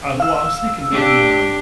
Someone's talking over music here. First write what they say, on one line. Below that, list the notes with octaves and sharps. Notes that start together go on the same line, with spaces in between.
I well, I was thinking maybe, um,
F5 E6
D4 G4